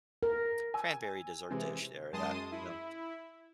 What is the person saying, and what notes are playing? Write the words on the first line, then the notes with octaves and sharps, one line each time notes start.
cranberry dessert dish there that, you know,
A#4
G#5 E6
C3 E3 G#3
F#2 G#3 A5 C6 D#6 D#7
E4